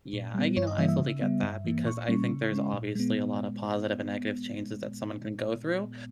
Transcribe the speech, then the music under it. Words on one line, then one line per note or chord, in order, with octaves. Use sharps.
Yeah, I you know, I fully get that because I think there's obviously a lot of positive and negative changes that someone can go through,
A#2
G3 B3
G2 C#5
D#5
E3 G3 A#3 E5
E5
C#3
G3 B3
G2
E3 A#3
A#2 C#6
G3 A#3 C#4
C#3
G#3 C#4
A#2
G#3 B3